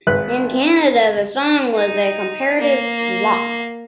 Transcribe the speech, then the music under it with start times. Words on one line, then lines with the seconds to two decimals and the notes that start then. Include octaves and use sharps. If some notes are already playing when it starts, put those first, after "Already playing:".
In Canada, the song was a comparative flop.
0.07 G#1 B4 F#6
1.74 D#4
2.59 A#3